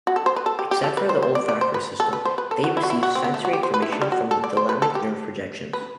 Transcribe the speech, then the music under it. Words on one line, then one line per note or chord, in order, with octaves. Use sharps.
Except for the olfactory system, they receive sensory information from thalamic nerve projections.
F#4
A4
C5
B4
A4
G4
G4
A4
B4
C5
C5
D5
D5
C5
B4
A4
B4
C5
B4
A4
F#4
E4
F#4
E4
F#4
C4
B3
A3
F#4
G4
C5
B4
E4
D4
G3
F#4
A4
D5
C5
B4
A4
G4
B4